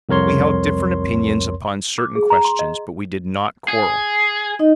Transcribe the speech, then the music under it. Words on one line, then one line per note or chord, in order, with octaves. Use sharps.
"We held different opinions upon certain questions, but we did not quarrel."
C2 F2 A#4 C#5 C6
D6
G#4
A#5
C6
D#5
G#4
D#4 D#5